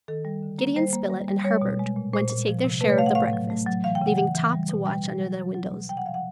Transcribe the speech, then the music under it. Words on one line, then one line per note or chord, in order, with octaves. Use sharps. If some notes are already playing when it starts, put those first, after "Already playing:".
Gideon Spilett and Herbert went to take their share of the breakfast, leaving Top to watch under the windows.
D#3 A4
G3
D3
A#3
G3 C5
A#3
G3
G3
G3 C#5
B2
G#3
A#2
A#2 C5
A#2
F3
C3
A3 B4
C#5
A3 F5
F#5
A2 F5
F#3
A3
F#3
E3 F5
G5
C#3 F#5
E3 F#5
E3
G3
B2
G3 G5
G3
F#3
F#3
F#3
B2
C3 G5
F#5
F3 F5
F#5